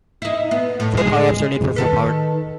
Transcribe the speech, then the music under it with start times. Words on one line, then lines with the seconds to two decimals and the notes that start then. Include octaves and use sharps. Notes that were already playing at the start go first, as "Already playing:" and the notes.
Four power-ups are needed for full power.
0.22 D#4 E4
0.51 B3
0.80 A2
0.97 G#3 G#4
1.76 D#3 A4 B4